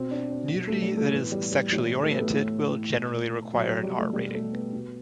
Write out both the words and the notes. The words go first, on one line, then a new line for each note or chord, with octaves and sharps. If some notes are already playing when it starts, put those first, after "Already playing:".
Nudity that is sexually oriented will generally require an R rating.
Already playing: B2 C4
D4
C4
B2 C4
A3
G3
A3
A2 E3 B3
G3
G3
A2 E3 G3
A3
B3
A3
A2 E3
B2
B2 F#3
F#3
G3
A3
B2 G3
A3
B3
B2